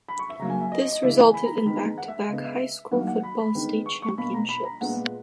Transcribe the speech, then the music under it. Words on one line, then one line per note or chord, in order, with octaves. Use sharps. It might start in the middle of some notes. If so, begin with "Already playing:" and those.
This resulted in back-to-back High School Football State Championships.
B5
C#6
E5
C#3 F#3 A#3 A#5
G#5
E5
D#5
D#5
D#5
C#3 E3 G#3 B3 E5
G#5
B5
A#5
B5
D#3 G#3 B3 B5
A#5
F#5
E5
C#3 G#3 B3 D#5
E5
D#3 F#3 A#3 F#5
F#5
B5
B5
D#3 G#3 B3
C#6
C#6
B2 A#3 B5
A#5
B5
A#5
A#2 G#3 B3 F#5